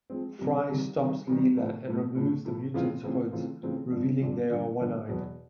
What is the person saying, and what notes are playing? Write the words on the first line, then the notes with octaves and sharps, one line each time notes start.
Fry stops Leela and removes the mutants' hoods, revealing they are one-eyed.
F3 G#3 C4
C3 D#3 G3
C3 D#3 G3
C3 D#3 G3
C3 D#3 G3
A2 F3 A3
A2 F3 A3
A2 F3 A3
A2 F3 A3
C#3 E3 A3 C4 F4
C#3 E3 A3 C4 F4
C#3 E3 A3 C4 F4
C#3 E3 A3 C4 F4
G2 D3 F3
G2 D3 F3
G2 D3 F3
G2 D3 F3
E2 B2 F#3 B3